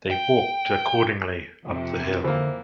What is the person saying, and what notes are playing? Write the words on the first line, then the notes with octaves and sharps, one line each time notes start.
They walked accordingly up the hill.
G5
F2 C3
D3 E3 A#3 C5